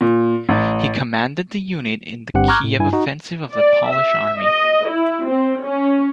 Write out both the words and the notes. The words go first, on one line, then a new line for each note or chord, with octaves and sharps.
He commanded the unit in the Kiev Offensive of the Polish Army.
A#2
A1
G1 G2 C4 G4 F#5 G5
A#5 C#6 D6 F6 F#6 G#6
A2
G2 E4 G#5
D#4 F#4
D5
E5
D#5
E4
C4
C#4